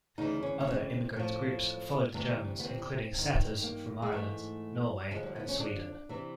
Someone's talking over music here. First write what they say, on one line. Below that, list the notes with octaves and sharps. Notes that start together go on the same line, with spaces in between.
Other immigrant groups followed the Germans including setters from Ireland, Norway and Sweden.
D2 C#3 E3 D#4
C#4
C#4
C4
A2 F3
D2 C3 E3
B3
C4
G2 D#3
A#3
G#3
G#2 E3 A3
D#2 D3 F3 G#3
G3
B3
C#4
D4
C3 E3